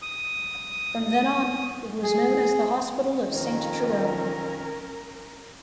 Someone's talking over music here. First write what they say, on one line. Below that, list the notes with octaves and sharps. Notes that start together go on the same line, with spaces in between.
From then on it was known as the Hospital of Saint Jerome.
D#6
G#4
F2 D#3 C#4 A#4